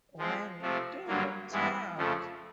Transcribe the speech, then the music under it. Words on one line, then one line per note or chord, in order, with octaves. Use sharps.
Well, you do look tired.
F3 G#3 C4
C3 F3 A3
G2 D3 F#3 A#3
G2 E3 G#3 B3 E4
F2 C#3 F3 A3